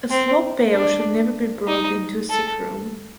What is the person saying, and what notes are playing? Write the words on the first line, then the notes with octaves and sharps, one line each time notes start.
A slop-pail should never be brought into a sick room.
C4
D4
D#4
A4